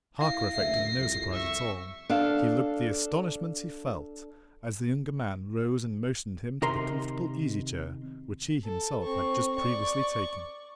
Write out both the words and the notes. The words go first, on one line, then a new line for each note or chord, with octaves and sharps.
Harker affected no surprise at all--he looked the astonishment he felt as the younger man rose and motioned him to the comfortable easy-chair which he himself had just previously taken.
E4 F5 A#6 C7
F#1 D2 E5
C2 F2
E5 C#6
D4 A4 F5
C3 D#3 A#4 A#5 C6
A4
C4 C#6
D5 C#6